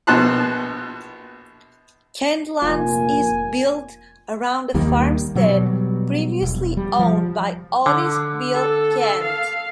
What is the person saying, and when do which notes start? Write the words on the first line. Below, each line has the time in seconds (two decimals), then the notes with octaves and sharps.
Kentlands is built around a farmstead previously owned by Otis Beall Kent.
0.07 A#1 B2 B3 A5 C6 F#6
2.62 F1 A#2 F4 G#5
4.74 D#2 D#3 G3 A#3
5.35 B2 F#3 G3
6.42 E1
6.77 G3
6.99 F3
7.86 D3
8.54 A4
9.23 F5